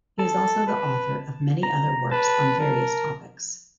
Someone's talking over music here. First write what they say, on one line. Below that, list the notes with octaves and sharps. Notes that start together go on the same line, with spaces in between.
He is also the author of many other works on various topics.
A4 A5
B4
A#5
B4 A5
A#4